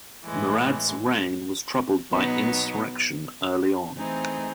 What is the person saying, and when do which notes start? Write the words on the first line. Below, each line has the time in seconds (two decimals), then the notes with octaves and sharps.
Murad's reign was troubled by insurrection early on.
0.25 A2 E3 G#3
2.12 B2 F#3 B3 D#4
3.97 E3 A3 C4 D#4 G#4